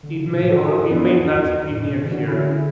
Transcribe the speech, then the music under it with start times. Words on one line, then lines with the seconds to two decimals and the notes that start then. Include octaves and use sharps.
It may or it may not be near here.
0.03 D3
0.15 C#3
0.27 B2
0.38 A2
0.49 G#2 F#4 A4
0.63 E4 G#4
0.77 F#2
0.83 G#2
0.89 F#2 B3 D4
0.97 E4
1.03 F#2 D4 F#4
1.12 G#2
1.21 F#2
1.30 E2
1.45 E2
1.57 F#2
1.70 A2
1.84 B2
1.97 D3
2.05 E3
2.10 D3 D4 F#4
2.28 C#4 E4
2.46 E4 G#4